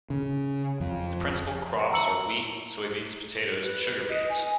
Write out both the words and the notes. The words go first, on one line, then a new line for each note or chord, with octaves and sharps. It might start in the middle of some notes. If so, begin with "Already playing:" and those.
The principal crops are wheat, soybeans, potatoes, and sugar beets.
C#3
F2
A5 A#5 E6 C#7 F#7
B4
D#5
G#5